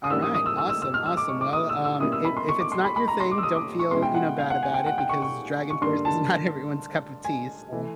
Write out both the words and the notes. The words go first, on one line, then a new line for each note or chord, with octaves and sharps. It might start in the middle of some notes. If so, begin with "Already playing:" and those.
Alright, awesome, awesome, well, um, if if it's not your thing, don't feel, you know, bad about it because Dragon's First is not everyone's cup of tea, so
D#6
G#2 E3 G3 A#3 C#4 E6
D#6
D#6
E6
E6
E6
E6
F6
E6
D6
C#6
D6
D#6
E6
E6
B2 G3 A#3 C#4 E4 D#6
E6
B5
C6
C#6
D6
C6
B5
B5
A#5
C6
D6
E6
D#6
D6
C#6
B2 G#3 C#4 E4 C6
G5
F#5
F5
F#5
G#5
G5
F#5
G5
C#6
C#6
C#6
G2 D3 G3 A#3 C6
A5
G#5
E3 A3